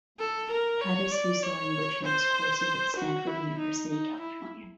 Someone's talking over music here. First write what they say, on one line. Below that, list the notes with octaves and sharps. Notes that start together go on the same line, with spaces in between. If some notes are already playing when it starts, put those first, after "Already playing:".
Pattis used the language in his courses at Stanford University, California.
A4
A#4
C#5
D5
C#5
C5
F#4
E4
D#4
D#4
E4